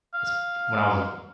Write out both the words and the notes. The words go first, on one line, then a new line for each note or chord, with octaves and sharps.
s when I was
F5